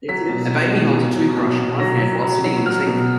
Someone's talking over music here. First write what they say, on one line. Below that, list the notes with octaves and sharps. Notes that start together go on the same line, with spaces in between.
A baby holds a toothbrush in one hand while sitting in the sink.
F#3 B6
B2
B2
B2
B2
F#3
B2
B2
F#3 A#6
F#3
F#3
F#3
F#3 F6
B2